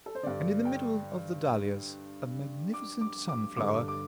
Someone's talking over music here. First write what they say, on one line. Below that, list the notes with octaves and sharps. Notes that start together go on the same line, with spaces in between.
And in the middle of the dahlias, a magnificent sunflower!
A4
C5
G2 D3 D5
G5
D6
D6
D6
G2 D3 D6
D6